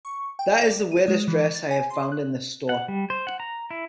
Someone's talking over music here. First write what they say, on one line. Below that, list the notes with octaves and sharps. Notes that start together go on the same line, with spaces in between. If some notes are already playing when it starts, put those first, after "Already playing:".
That is the weirdest dress I have found in this store.
C#6
G5
D5
D#7
G#3
E3
A6
G#5
C6
F#6
F#5
G3
C5
F#5
A#5
E4